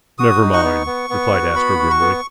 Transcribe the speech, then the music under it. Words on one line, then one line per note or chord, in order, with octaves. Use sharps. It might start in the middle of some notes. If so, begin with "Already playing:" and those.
"Never mind," replied Astro grimly.
F#4 D#6
D#4
C#6
B3
B3
B3
F#4
B3 B5
F#4
C#6
B3